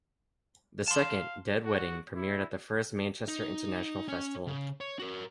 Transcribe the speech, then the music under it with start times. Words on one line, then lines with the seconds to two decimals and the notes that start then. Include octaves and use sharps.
The second, "Dead Wedding" premiered at the first Manchester International Festival.
0.88 F5 A5 C6
1.65 F#4
2.15 E4
3.28 D#4
4.08 C#4
4.47 C#3
4.81 C#5
4.99 F#4 A#4